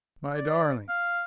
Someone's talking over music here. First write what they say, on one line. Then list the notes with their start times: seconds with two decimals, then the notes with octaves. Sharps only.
My darling!
0.35 D5
0.89 F5